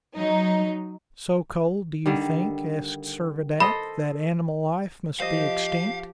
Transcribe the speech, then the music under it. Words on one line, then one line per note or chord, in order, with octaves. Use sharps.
"So cold, do you think," asked Servadac, "that animal life must be extinct?"
F#3 D#4
D3 D#3 G3
A4 C5 D#5 B5
F3 G4 C5 D#5 F5